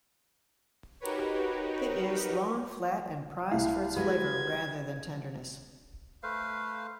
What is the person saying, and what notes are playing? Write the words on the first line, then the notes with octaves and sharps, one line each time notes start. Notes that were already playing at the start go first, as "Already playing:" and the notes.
It is long, flat, and prized for its flavor rather than tenderness.
D#4 F#4 G4 A#4 B4 C#5
C2 E4 F5
G3 G#3 F#4 B4 G#6
A3 B4 C5 F5